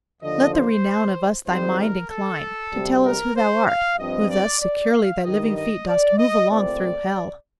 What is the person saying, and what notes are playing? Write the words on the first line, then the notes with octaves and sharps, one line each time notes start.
Let the renown of us thy mind incline To tell us who thou art, who thus securely Thy living feet dost move along through Hell.
D#2 D3 F3 D#5
C5
F2 D#3 G3 C4 C5
A#4
A4
D2 C3 G3
A#4
C5
F5
G2 F3 C4 D#5
D5
D5
F5
G2 D#3 G3 D#5
D#5
D5
D#5
C2 A#2 A3 C4 D5